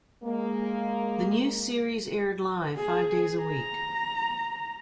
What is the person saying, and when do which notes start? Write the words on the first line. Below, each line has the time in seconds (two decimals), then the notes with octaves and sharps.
The new series aired live, five days a week.
0.24 G#3 A#3
2.76 G#4
3.42 A#5